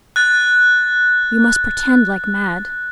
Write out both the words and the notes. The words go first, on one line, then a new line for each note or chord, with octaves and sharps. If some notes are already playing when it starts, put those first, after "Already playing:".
We must pretend like mad.
F#6 A6